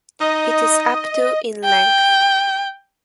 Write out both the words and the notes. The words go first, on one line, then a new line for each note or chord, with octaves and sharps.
It is up to in length.
D#4 D#5
G5